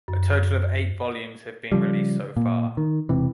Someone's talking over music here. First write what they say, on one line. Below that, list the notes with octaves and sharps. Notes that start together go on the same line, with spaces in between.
A total of eight volumes have been released so far.
F#2
C#3 F3 G3
A#2
D#3
E1 C3 E3